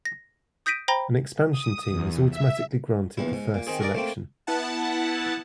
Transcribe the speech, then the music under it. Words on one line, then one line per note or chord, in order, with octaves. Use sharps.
An expansion team is automatically granted the first selection.
A#6
D#6 G6 A#6 B6 D7 D#7
C5 G5 A#5 B5 A#6 G7
D#6
E2
E5
A#1 E2 E4
G#2
A#2
D#3 C4 G#4
F#4 G#4 A#4 D5
A3 A#3 C4
B3 E4 F#5 A5